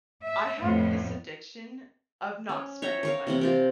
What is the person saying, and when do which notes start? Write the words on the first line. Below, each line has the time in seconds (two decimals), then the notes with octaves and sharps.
I have this addiction of not spending money.
0.24 E5
0.62 F2 A2 F3 B3
2.49 C#4
2.82 C#5 E5 G5 A#5
3.03 A#4 C#5 F5
3.27 C3 E3 C4
3.41 F4 G4 A#4